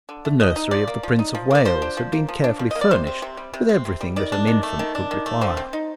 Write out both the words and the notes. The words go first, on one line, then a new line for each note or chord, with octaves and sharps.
The nursery of the Prince of Wales had been carefully furnished with everything that an infant could require.
D3
A3
F3 D#5
D#4
F3 D5
A#3
F3
D#4
F3
A#3 D5
F3 C5
D4
F3
A#3
F3
D4
F3
A#3 D#5
D5
C3 C5
C4
C3
G3
C3
C4
C3
G3
D#3 D5
D4
D#3
A3
D#3
D4
D#3
A3
D3 C5
C4
D#4